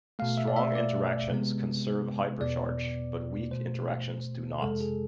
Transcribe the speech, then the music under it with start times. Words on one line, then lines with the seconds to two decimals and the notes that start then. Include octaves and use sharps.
Strong interactions conserve hypercharge, but weak interactions do not.
0.19 B2 A3 F5
0.38 E5
0.48 D5
0.56 E5
0.75 D5
1.30 C3 G#3 B3
2.41 E2 B2 B3 D5
3.51 B2 A3 C5
4.62 F2 C3 G#3 A4
4.81 G#4